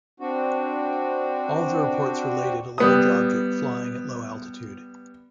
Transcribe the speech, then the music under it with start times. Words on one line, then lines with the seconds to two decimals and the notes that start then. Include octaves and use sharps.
All of the reports related a large object flying at low altitude.
0.20 C4 D4 F#4
2.78 G3 B3 D#6